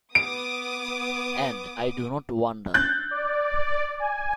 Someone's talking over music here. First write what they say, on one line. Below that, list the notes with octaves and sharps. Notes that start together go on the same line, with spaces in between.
And I do not wonder.
B3 D6 D#6 D7
F#6 G6 A6
D5
G#5